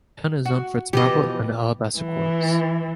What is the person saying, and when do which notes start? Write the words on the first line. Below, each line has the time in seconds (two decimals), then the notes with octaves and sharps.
The town is known for its marble and alabaster quarries.
0.45 F#4
0.93 B2 E3 F3 G4 D#5
1.99 E3